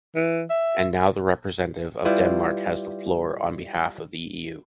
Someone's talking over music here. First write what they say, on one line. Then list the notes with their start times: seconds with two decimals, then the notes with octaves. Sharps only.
And now the representative of Denmark has the floor on behalf of the EU.
0.15 E3
0.50 E5
2.05 G3 E4 F4 B4